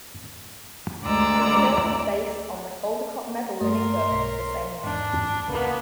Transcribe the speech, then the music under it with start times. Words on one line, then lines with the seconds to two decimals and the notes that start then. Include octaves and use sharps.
The film was based on the Caldecott Medal winning book of the same name.
1.03 D2 G#3 D5 A#5 E6
3.61 G2 A3 A#4 D#5 C6
4.10 B1 C#5 B6
4.84 E2 G#2 D4
5.48 C#2 C#3 A#3 B3 B4